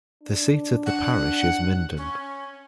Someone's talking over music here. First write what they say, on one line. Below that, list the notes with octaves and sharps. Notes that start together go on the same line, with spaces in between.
The seat of the parish is Minden.
D4
F#5
C#4